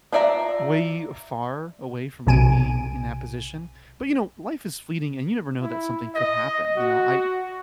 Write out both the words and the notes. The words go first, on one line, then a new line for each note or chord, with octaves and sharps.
way far away from, like, being in that position, but, you know, life is fleeting, and you never know that something could happen, you know, I
D4 F4 D5 E5 A#5
B1 C3 G#5 D7 D#7
E4
D#5
F#4